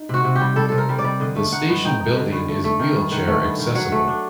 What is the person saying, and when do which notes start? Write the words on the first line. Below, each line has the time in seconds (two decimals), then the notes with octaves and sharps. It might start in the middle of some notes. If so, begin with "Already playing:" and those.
The station building is wheelchair accessible.
Already playing: D#4
0.09 C3 F#4
0.24 C3
0.35 G4
0.41 G3
0.56 G3 A4
0.69 C3 A4
0.78 A#4
0.89 G3
0.98 D5
1.04 G3
1.20 D3 D#5
1.36 A3
1.52 D#4 F#5
1.69 G2
1.85 D#4 G5
2.00 D#4
2.16 D3
2.32 G2
2.49 A3
2.64 A3
2.79 D#3
2.96 G2
3.11 D#3 F#5
3.27 A3
3.44 G2
3.59 D#3
3.75 F#3 F#5
3.92 A3
4.08 D4